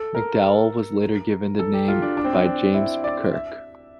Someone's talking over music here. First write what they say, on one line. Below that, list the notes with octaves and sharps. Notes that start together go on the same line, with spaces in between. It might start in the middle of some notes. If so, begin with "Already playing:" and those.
McDowall was later given the name by James Kirk.
Already playing: A4
A#4
A4
G4
F4
D4
D4
C4
D4
D4
E4
D5
E5